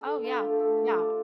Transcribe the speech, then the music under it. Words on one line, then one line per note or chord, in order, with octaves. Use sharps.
Oh yeah, yeah.
D3 A4
F4
G4
A3
A4
D5
D4 C5